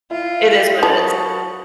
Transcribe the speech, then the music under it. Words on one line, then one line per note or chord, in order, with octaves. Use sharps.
It is what it is.
E4 F4
F3 F#3 A5 B5 D#6